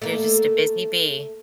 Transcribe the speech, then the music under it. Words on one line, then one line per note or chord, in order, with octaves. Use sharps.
You're just a busy bee.
A3 A#3